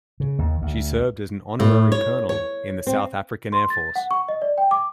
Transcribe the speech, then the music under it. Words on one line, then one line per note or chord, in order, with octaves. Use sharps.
She served as an Honorary Colonel in the South African Air Force.
C#3
D#2
D2
A2
C#5
C#5
C4
C6
A6
F#5
C#6
D#5
D5
G5
D6